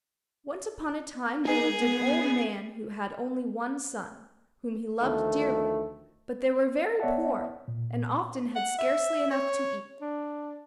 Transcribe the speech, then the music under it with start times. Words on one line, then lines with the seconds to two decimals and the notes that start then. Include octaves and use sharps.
Once upon a time there lived an old man who had only one son, whom he loved dearly; but they were very poor, and often had scarcely enough to eat.
1.45 D#4 G#4 G#5
1.81 B3
5.00 D2 D#3 F3 A3
7.00 B3 C#5 D5 E5 F#5 A5
7.68 A#2
8.56 F#5
8.79 E5
9.31 C#5
10.01 D4